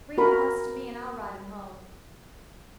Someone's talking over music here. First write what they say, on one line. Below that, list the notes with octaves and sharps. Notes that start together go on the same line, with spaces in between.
Bring the hoss to me, an' I'll ride him home.
F#4 A#4 B5